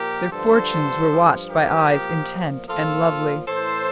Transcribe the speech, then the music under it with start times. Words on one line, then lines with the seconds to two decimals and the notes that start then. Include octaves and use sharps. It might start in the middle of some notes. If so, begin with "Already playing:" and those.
Their fortunes were watched by eyes intent and lovely.
Already playing: A#2 F3 G4 A#4
0.31 G2 D3 F3 A4 C5
1.10 G2 F3
1.49 G4 A#4
1.89 A#2 F3
2.68 A#2 F3 F4 A4
3.47 A2 E3 A4 C5